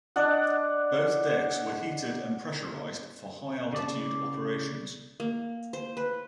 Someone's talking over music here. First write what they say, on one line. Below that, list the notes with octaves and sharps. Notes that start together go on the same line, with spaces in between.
Both decks were heated and pressurized for high altitude operations.
D4 D#5 F#5
C#3 D5 A5
A#3
C5
B4